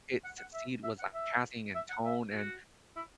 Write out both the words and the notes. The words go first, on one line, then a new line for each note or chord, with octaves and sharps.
it succeed was, like, casting, and tone, and
F#5
F#5
E5
E5
F#5
E5
E5
F#5
E5
F#4
E4